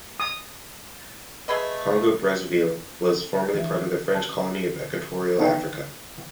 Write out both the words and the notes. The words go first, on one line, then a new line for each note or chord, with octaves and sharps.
Congo-Brazzaville was formerly part of the French colony of Equatorial Africa.
D#6
A3 G#4 B4 D#5
E3 E5
A5
B3 D4 D#4 B4 C#5 G5